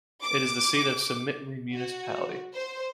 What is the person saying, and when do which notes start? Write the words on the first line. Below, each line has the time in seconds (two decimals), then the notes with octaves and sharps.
It is the seat of Simitli Municipality.
0.22 D6
1.74 F#4
2.55 C5